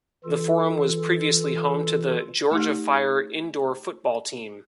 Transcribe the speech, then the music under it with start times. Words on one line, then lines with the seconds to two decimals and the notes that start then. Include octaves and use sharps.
The Forum was previously home to the Georgia Fire indoor football team.
0.24 E3 F4 A4
2.51 A3 D#4 G4